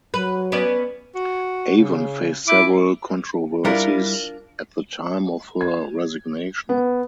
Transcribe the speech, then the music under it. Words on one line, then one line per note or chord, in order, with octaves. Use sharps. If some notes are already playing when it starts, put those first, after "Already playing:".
Avon faced several controversies at the time of her resignation.
F#3 B4
B3 C#4 B4 D5
F#4
C#3
E4 D6
G3 D4 E4 F4 A#4
G#6
B3